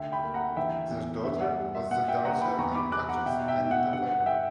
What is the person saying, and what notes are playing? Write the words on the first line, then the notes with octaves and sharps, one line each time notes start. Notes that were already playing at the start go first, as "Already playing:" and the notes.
Their daughter was the dancer and actress Anita Berber.
Already playing: D2 E5 G5
G5 B5
A#3
F#5 A#5
E3 E5 G5
E2
G2 E5
F#5
G3
E5
A#2 F#5
E5 G5
A#2 F#5 A#5
G5 B5
E2 A#5 C#6
B5 D6
E2 D6 F#6
F#5 A#5
B2 E5 G5
E5 G5
B2
F#5
G2 F#5
F#5
F#5
E5 G5